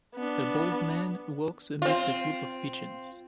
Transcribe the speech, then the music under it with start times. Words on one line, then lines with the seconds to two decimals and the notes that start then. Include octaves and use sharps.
A bald man walks amidst a group of pigeons.
0.16 B3 D4
1.82 C4 F4